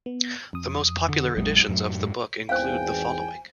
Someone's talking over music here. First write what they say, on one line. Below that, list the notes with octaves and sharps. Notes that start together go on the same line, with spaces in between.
The most popular editions of the book include the following.
B3
F2 D#6
D3
A#1 F#3 G#3
F#2 A2 F#3
G#2
G#1 E2 C5 F5 G5 G#5